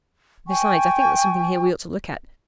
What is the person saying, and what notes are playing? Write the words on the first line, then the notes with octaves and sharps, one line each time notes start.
Besides I think there's something here we ought to look at.
G5 G#5 C#6